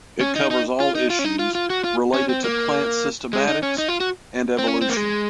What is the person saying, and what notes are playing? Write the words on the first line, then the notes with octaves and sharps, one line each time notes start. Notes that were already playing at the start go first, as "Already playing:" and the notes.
It covers all issues related to plant systematics and evolution.
C#4
D#4
D#4
F4
D#4
F4
C#4
D#4
F4
F4
F#4
F4
C#4
C4
A#3
G#3
D#4
C#4
D#4
F4
F#4
C4
C#4
C4
A#3
G#3